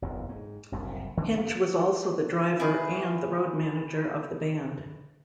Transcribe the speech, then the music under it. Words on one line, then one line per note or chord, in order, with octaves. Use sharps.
Hinch was also the driver and the road manager of the band.
F#1 B1 E2
G#2
F#1 C2 F#2 A2
D3 D#3 A#3 D4
G2 A#3
E4 G#4 B4